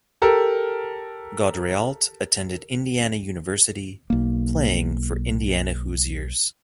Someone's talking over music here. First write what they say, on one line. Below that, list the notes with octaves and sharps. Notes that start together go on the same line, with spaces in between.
Gaudreault attended Indiana University playing for Indiana Hoosiers.
G4 A4 A#4
B1 A#3